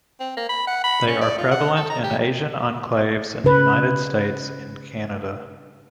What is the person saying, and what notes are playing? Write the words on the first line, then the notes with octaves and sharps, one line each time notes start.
They are prevalent in Asian enclaves in the United States and Canada.
C4
A#3
B5
F#5
B5
C#4
D5
F4
F#5
A4
A#5
G4
C#3 B4